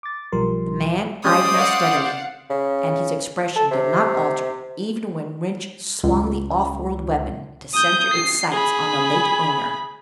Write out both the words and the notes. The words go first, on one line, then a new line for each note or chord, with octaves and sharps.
The man eyed him steadily, and his expression did not alter even when Rynch swung the off-world weapon to center its sights on the late owner.
D6 A6
B1 F3 G3 A#4 C6
G#3 C#4 G4 C5 D5 D#6
C#5 D#5 F5 F#5
C#3
A4
C3
C#2
D#6 G6
C7
G#4 B5